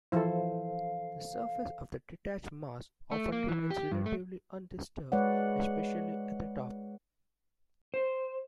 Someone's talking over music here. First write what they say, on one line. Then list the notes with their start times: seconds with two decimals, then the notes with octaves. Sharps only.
The surface of the detached mass often remains relatively undisturbed, especially at the top.
0.12 E3 F3 E4 A4 C5 F5
3.11 A3
3.32 A#3
3.48 E3
3.70 G4
3.92 G2
4.06 A3
5.12 G#3 B4 C#5 D5 F#5
7.94 C5